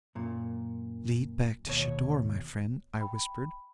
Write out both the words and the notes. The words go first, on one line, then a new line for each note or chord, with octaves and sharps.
"Lead back to Shador, my friend," I whispered.
F#2 A#2
D#2 B2 C#5
G5 B5